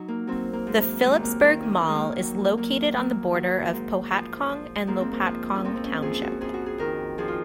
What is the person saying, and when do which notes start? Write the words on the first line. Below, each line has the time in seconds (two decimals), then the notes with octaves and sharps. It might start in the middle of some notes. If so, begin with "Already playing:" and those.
The Phillipsburg Mall is located on the border of Pohatcong and Lopatcong Township.
Already playing: F#3 D#4
0.08 A#3
0.27 F#3 C4
0.53 A#3
0.67 G#2
0.79 A#3
1.05 D#2 G#3
1.23 A#3
1.42 D#3 A#3
1.62 C#4
1.81 D#2 A#3
1.88 G#3
1.95 A#3
2.19 F#3
2.57 F#3 A#3
2.97 F#3 A#3
3.35 F#3
3.73 G#2
4.11 F3
4.49 F3
4.87 G#2 A#3
5.01 C4
5.13 A#3
5.26 F3
5.55 C#4
5.64 F2 C4
5.76 C4
5.84 C#4
6.02 F2 G#4
6.22 F#4
6.41 F2 G#4
6.54 F#4
6.66 G#4
6.79 D#3 A#4
7.18 F3 G#4
7.28 F4